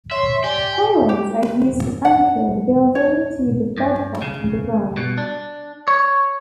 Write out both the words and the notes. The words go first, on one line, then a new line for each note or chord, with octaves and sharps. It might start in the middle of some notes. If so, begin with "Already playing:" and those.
Pilings are used to anchor the building to the bedrock underground.
C#5 E5 C6
G4 D5 G#5
G4
F#5
C#5
G2
C#3
B2
D4
C#5